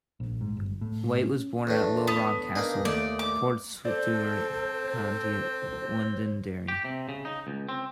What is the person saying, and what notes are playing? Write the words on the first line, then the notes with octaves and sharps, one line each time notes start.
White was born at Low Rock Castle, Portstewart, County Londonderry.
A#1
G#2
G1
A2
C#4
E2 A2 D4
B3
A#3 D4 D#4 G#4
D#2 A3 D5
D6
C4 A4 C5 D5
G4
C3
C#3
D#4
C#2
C4